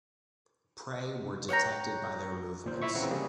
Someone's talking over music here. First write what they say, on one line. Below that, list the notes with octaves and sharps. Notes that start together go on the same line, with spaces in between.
Prey were detected by their movements.
C#5 F#5 G5 A#5
A#2 C5
E4 E5 C#6
C#3 E3 C4 F#5 A#5
G3 A#3 G#4